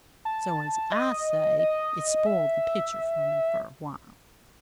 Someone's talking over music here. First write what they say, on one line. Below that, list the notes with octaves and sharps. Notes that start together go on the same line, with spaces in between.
So, as I say, it spoiled the picture for me, for a while.
A5
D#5
D#5
E5